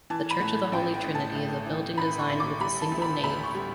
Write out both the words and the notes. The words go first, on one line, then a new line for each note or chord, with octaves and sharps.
The church of the Holy Trinity is a building design with a single nave.
E3 A5
B5
A2
A1 G5
G5
A1
A5
A1
E3
A1 B5
C#6
A1
D6
G3 B5
A5
D2
B5
D2 B5
C#6
G3